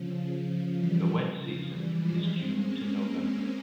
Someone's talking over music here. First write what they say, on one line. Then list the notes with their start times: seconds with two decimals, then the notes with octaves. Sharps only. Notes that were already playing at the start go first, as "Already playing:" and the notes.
The wet season is June to November.
Already playing: C#3 F3
0.75 E3 G3
1.35 C#3 F3
1.66 E3 G3
1.96 F3 G#3
2.26 G#3 C4
2.56 A#3 C#4